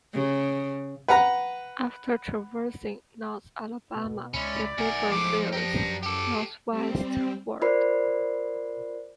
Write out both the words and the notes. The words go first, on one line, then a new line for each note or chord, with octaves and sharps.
After traversing North Alabama, the river veers northwestward.
C#3
B4 F#5 A#5
B2
C#2 G#3 C#4 D5 E5 B5
B1 B2 A#4 E5 F#5 G#5
A2 F3 G#3 D6
F#2 D4 G4 A#5
G4 A4 D6
G3 C4
F4 A#4 C5 D5 B5 C7